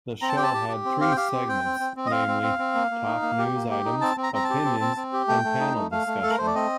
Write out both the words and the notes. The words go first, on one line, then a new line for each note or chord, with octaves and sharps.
The show had three segments, namely: Top News Items, Opinions, and Panel Discussion.
C4 A#5
A5
G4 G5
A5
G4
G4
C4
G4 F5
G5
G4 F5
C4
C4 G5
C4
C4
C4
D#5
C4 F5
C4
C4
C4
A#3
A#3
D#4
A#3
G4
A#3
G4
D#4
C4 A5
C4
A#5
C4 A#5
A5
G4
C4
C4
C4
G4
A3 G5
A3
D#4
A3
A3 F5
A3
A3 A4
A#4
A3 C5
D5
C4 D#5